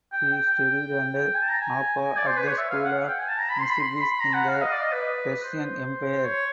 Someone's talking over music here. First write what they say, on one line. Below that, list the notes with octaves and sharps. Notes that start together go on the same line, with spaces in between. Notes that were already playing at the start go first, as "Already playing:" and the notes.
He studied under Aba at the school of Nisibis in the Persian Empire.
G5
G5
G#5
A5
A#5
G#5
D5
C5
B4
C#5
E5
F5
F#5
F#5
G5
G#5
A5
A#5
B5
C6
B5
C6
B5
A#5
F#5
F5
D#5
D5
D#5
B4
C5
C#5